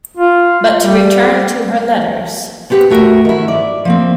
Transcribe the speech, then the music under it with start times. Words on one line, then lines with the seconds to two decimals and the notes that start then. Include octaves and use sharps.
But to return to her letters.
0.17 F4
0.79 G3
2.70 B3 C4 G4 B4 F#5
2.90 A3 F#4 A#4
3.25 D#3 E4
3.48 D5
3.85 F3 A#3 C4